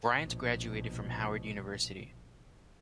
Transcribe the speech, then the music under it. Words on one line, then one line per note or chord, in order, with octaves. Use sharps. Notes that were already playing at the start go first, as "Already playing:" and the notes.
Bryant graduated fron Howard University.
A#1 B2